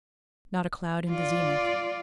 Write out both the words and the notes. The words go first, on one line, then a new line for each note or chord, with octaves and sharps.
Not a cloud in the zenith.
F4 D5